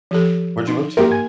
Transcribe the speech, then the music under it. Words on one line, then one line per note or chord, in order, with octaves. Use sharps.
Where'd you move to?
F3 G4 A4
D#4
A#3 G4 A#4 E5 C6
G#5 G#6